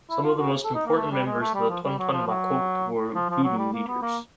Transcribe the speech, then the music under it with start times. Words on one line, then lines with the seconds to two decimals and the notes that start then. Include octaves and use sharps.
Some of the most important members of the "Tonton Macoute" were Vodou leaders.
0.10 E4
0.24 F4
0.39 F#4
0.64 A4
0.75 D#4
0.86 A#3
0.97 A3
1.11 G3
1.26 G#3
1.40 A3
1.55 G3
1.69 F3
1.84 G3
1.99 F#3
2.12 F3
2.27 F#3
3.15 F3
3.29 F3
3.44 F#3
3.58 G3
3.73 A#3
3.88 B3
4.02 A#3